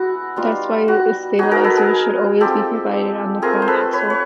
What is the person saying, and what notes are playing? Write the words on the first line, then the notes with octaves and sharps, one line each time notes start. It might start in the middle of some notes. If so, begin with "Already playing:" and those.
That is why a stabilizer should always be provided on the front axle.
Already playing: G#3 B3 E4 F#4
G3 B3 D#4 F4
F#4
F#3 B3 D#4 F#4 G#4
G#4 A#4
A4 B4
G#4 A#4
G#3 C4 F4 G4 A4
A3 C4 F4 G#4 A#4
C5
A4 B4
B4 C#5
C#5